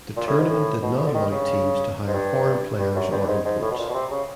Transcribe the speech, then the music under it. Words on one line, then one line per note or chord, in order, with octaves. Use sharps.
The tournament did not allow teams to hire foreign players or imports.
A#2
A2
G#2
A2
B2
C#3
D3
D#3
C#3
G#2
G2
G2
F#2
G2
G#2
G#2
A2
B2
A#2
B2
C3
C#3